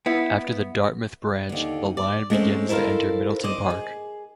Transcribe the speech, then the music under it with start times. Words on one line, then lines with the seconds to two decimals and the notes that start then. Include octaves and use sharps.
After the Dartmouth Branch, the line begins to enter Middleton Park.
0.06 B3 E4
1.49 D#2 D3
1.97 D5
2.30 G#3 A3 C4 C#4
2.69 E4 A4 A#4 C5 F5
3.44 C5 D5 D#5
3.70 G#4